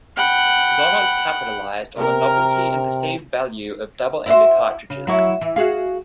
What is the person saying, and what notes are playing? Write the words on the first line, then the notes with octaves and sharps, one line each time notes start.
Xonox capitalized on the novelty and perceived value of "double-ender" cartridges.
F#5 G5 B5
C3 A#4
E4 F#4 C5
C#3
F#3 E4 C#5
E3
F#4 G#4 F5